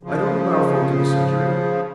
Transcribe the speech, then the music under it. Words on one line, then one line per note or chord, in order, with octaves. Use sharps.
I don't allow folk in the surgery.
C#3 F3